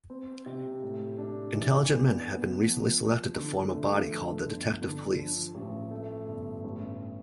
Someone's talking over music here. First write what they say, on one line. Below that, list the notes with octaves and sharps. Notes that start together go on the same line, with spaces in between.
Intelligent men have been recently selected to form a body called the detective police.
C4
C3
A2
D4
E3
B3
B3
F3
F3
D3
A3
F3
G1
D3
F3
A1
A3
G1
A1